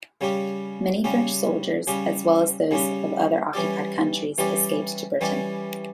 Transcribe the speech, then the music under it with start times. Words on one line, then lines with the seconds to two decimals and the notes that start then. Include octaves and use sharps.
Many French soldiers, as well as those of other occupied countries, escaped to Britain.
0.21 C#3 G3 C#4 G4
1.04 C#3 G3 C#4 G4
1.87 C#3 G3 C#4 G4
2.71 C#3 G3 C#4 G4
3.53 E3 G3 C#4 G4 D5
4.38 E3 G3 C#4 G4 D5
5.21 E3 G3 C#4 G4 D5